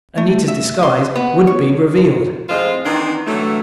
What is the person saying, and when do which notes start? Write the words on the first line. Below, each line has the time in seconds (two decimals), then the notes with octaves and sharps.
Anita's disguise would be revealed.
0.18 A3
0.48 E5
0.83 C6
1.16 B3
1.47 C#5
2.49 F2 A2 G#3 F4 C5
2.85 D#3 E3 B3 C4 D4 D#4
3.27 A2 D3 E3 F#3 A3